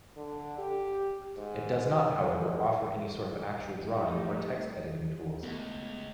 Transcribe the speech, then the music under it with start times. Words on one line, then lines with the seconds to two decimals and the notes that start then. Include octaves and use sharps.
It does not however, offer any sort of actual drawing or text-editing tools.
0.16 D3
0.58 G4
1.38 G#2
2.53 A2
3.82 G3 A3 D#4
5.43 C#2 A3 B3